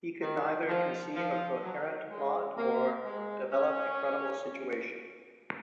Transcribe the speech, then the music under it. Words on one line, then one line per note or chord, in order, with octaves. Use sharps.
He could neither conceive a coherent plot, nor develop a credible situation.
D#3
F3
F3
F#3
G#3
A#3
G#3
C#4